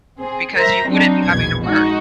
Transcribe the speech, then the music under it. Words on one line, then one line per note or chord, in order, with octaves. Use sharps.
because you wouldn't be having to work.
C4 G#4
A#4 C5 E5 A#5
F#3 C4 D4 D#4
A#1 E2 B2 G#6
G#3 D#4 F#4